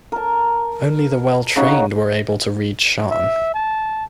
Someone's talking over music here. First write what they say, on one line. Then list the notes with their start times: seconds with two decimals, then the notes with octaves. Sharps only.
Only the well-trained were able to read Shan.
0.12 A#4 A5
1.56 C#3 D#4 F#4 C#5
3.11 E5
3.54 A5